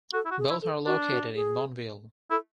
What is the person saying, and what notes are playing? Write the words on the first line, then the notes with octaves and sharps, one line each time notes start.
Both are located in Boonville.
F#4 A4
E4
F#4
G#4
E4
A4
D4 F#4
F#4
G#4
E4 A4